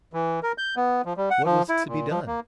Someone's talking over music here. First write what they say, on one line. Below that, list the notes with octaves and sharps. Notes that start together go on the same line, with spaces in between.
What was to be done?
E3
A#4
G6
B3
F3
G3
F#5
F3
E4
A#2
F3
A#3